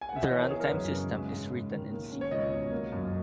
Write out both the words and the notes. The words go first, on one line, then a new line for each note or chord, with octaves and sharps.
The run-time system is written in C.
G#5
F#5
E5
D#5
E3 C#5
A#4
B3 G#4
A#4
F#2 B4
C#3
G#3
G#2
G#2
D#3
A#3
C#4
C#5
C#2 D#5
B2
A#3
F#2